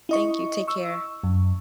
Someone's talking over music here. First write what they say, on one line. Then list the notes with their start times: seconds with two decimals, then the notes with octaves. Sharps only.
Thank you, take care.
0.09 E4 D#5 C#6
0.67 C#6 E6
1.23 F#2